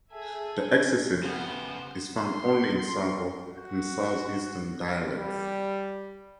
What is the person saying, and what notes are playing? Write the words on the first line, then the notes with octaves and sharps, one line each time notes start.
The exessive is found only in Savo and southeastern dialects.
G#4 A4 E5 G#5
C#3 A3 B3 G4 C5 F#5
C6
F#4
G3